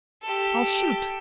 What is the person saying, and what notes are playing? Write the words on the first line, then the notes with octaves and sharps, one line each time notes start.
I'll shoot!
G4 A4